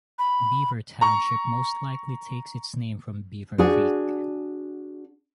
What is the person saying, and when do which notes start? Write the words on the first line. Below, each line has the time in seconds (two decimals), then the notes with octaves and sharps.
Beaver Township most likely takes its name from Beaver Creek.
0.19 B5
1.01 A#5 C#6
3.58 D4 F#4 G#4